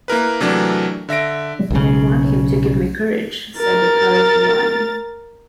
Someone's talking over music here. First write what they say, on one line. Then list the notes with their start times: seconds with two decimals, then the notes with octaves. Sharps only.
"And I want him to give me courage," said the Cowardly Lion.
0.08 A#3 E4 A#4 B4
0.40 C3 E3 F#3 A3 D4 A#4
1.09 D3 E5 A#6 D7
1.70 B1 C#3
3.58 A#4 A6